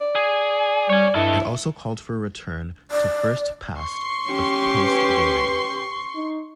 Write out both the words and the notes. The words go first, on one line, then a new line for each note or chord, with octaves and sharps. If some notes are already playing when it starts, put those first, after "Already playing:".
It also called for a return to first past the post voting.
D5
G#4
G3 C#5 G#5
G2 E4 A4 D#5
D5
C6 C#6
C#4 G4
B4
D#4